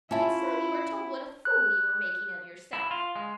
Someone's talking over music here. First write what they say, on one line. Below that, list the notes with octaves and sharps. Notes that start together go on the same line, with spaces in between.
It's time you were told what a fool you were making of yourself.
C#4 E4 F4 E5 A5
F#6
E4
F4
G#3